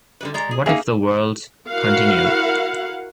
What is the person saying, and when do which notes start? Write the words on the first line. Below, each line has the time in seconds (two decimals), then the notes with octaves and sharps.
What if the worlds continued?
0.21 D3 G3 B4
0.34 G#3 D5 A#5
0.51 G#4
0.66 A#3 D#4 G#4 E5 F5
1.69 E4 F#4 A#4 F5 F#5